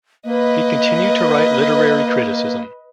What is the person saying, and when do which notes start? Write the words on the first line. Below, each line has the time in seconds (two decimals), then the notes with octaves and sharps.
He continued to write literary criticism.
0.25 A#3 B4 D#5